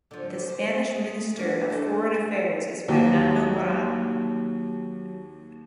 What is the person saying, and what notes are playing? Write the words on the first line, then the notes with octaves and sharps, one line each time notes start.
The Spanish Minister of Foreign Affairs is Fernando Morán.
D3 F3
C5
G#4
A#3 D4 F#4
A3 D4
G#4
D#2 F#3 G4